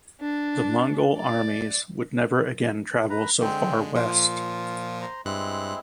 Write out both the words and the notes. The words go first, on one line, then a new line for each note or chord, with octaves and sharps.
The Mongol armies would never again travel so far west.
D4
D5
B4 A#5
D3 G#3 C4 G5
A#2 F3 F4
C5 A#5
G2 G#3 C4 E4 F#6